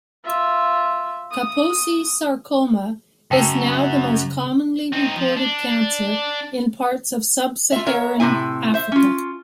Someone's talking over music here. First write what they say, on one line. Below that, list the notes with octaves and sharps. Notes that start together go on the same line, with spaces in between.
Kaposi's sarcoma is now the most commonly reported cancer in parts of sub-Saharan Africa.
F4 E5
D#6
F#2 C#3 G5 A5 E6
C4 D#4
F3
D4
F4 E5
A#4 C#5 E5
A2 C3 C4 E4 G#5
C5 E5
C#4 F4